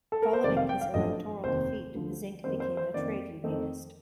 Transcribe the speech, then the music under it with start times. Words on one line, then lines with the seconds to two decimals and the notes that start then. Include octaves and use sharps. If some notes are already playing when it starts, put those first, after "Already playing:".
Following his electoral defeat, Zinck became a trade unionist.
0.12 A4
0.22 A#4
0.33 C5
0.44 F1 F2 D#3 G3 A#3 D5
0.57 F5
0.69 G5
0.81 F5
0.94 G1 G2 F3 A3 D4 D#5
1.44 F1 D#2 D#3 C5
1.94 D2 D3 F3
2.44 F2 D#3 A#3 C5
2.60 C5
2.77 C5
2.94 F2 D#3 A#3 D5
3.44 F2 D#3 A3 C4 D#4